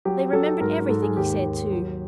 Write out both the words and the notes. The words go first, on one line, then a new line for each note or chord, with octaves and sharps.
They remembered everything he said, too.
F#3 G4
F#3 A4
G#2 A#4
G#2 A4
G#4
D#2 G4
D#2
F#3